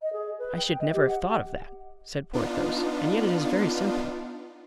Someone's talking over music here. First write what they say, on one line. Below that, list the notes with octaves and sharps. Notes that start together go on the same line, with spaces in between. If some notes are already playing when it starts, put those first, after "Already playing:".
"I should never have thought of that," said Porthos, "and yet it is very simple."
D#5
G#4
B4
G5
D#5
G4
F#5
B3 D4 D#4 F4